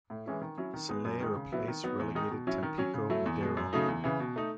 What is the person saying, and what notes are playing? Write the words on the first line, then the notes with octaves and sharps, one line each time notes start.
Celaya replace relegated Tampico Madero.
A2
E3 G#3 C#4 E4
D#3
F#3 C#4 E4
D#3
G#3 B3 D#4
F#2
D#3 G#3 D#4
C#3
F#3 B3 E4
D#3
F#3 B3 D#4
E2
D#3 G#3 D#4
B2
F#3 C#4 E4
D#3
F#3 C#4
C#3
F#3 A3 E4
E2
B2 G#3
F#2
C#3 F#3 A3 D#4
E2
C#3 E3
B2
A3 D#4